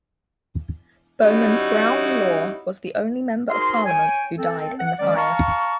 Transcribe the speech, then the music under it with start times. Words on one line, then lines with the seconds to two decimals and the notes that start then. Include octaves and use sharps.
Bowman Brown Law was the only member of parliament who died in the fire.
1.21 G3 C#4 D#4 E4 F#4
3.51 D#4 F#4 G#4 A#4 C5 C6
3.86 C#5 G5 G#5
4.38 C4 A4
4.80 F#5
4.99 D#3 F#3 G#3 C#4 D5
5.16 F5 A5 A#5 C#6